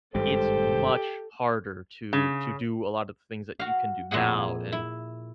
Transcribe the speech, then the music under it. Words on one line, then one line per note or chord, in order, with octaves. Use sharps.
it's much harder to to do a lot of things that you can do now. And,
G#1 G2 G#3 G4 A4 C5
C#3
F#4 F5
F2 A#2 E4 G#4 F#5
E4